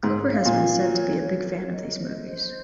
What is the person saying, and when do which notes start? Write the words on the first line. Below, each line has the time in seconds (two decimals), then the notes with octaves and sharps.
Cooper has been said to be a big fan of these movies.
0.03 G#2 A#4
0.32 F5
0.46 A#2
0.60 A#4
0.88 C#5
1.16 C#5
1.44 A#4
1.73 D#5
2.01 C5
2.28 C5